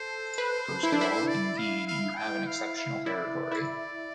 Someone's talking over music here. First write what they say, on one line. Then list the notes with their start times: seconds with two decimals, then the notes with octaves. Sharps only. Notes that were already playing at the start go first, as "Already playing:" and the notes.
First of all, indeed, you have an exceptional territory.
Already playing: A4 C5
0.38 B4
0.83 E4
0.92 D4
1.01 E4
1.28 D5
1.57 F5
1.87 F5
2.17 G5
2.47 F5
2.76 F5
3.06 E4 D5
3.51 E4